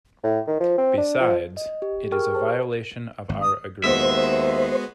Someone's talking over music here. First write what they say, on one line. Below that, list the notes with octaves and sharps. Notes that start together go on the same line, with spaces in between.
Besides, it is a violation of our agreement.
A2
D#3
F3
C4
D4
F3
D#5
G4
G4 G#4 A#4 G5 C#6 F6
C5 A5
G#1
D#6
D#2 G#3 B3 F#4 C5 E5